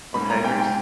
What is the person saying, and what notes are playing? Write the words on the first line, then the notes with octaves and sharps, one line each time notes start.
On hangers?
G#2 B5
G#2 A#5
G5
G#2 G5